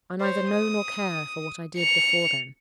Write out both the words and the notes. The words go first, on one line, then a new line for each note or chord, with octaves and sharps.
I neither know nor care for what I did before then.
C5 C#5
D#6
C#7 F7